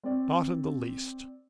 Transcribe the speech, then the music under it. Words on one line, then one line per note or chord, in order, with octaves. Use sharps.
"Not in the least."
C4 D5